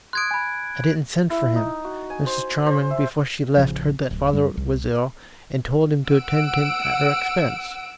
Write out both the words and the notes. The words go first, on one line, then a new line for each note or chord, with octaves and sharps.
"I didn't send for him Mrs. Charmond, before she left, heard that father was ill, and told him to attend him at her expense."
C6 D#6 F#6 G#6 D7
G#5 B5
E4
D#4
F#4
G#5
C5
C5
E5
A1 C#3 F3
D1
F#2 G3
C2
F#5 E6 D7